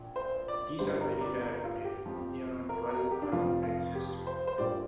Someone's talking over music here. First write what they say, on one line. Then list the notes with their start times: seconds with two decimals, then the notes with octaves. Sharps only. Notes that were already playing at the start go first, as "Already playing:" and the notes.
These are very rare today: only around twelve are known to exist.
Already playing: A#1 A#2
0.16 C5
0.48 D5
0.79 G1 G2 G3 C5
1.01 A#4
1.21 D5
1.42 A#4
1.64 F4
1.85 G4
2.06 F2 F3
2.69 A#4
2.90 A#4
3.11 G4
3.22 D4
3.32 F1 F2 F3 F4
3.63 F4
3.95 G4
4.27 C5
4.47 C5
4.58 A#1 A#2 G3 D5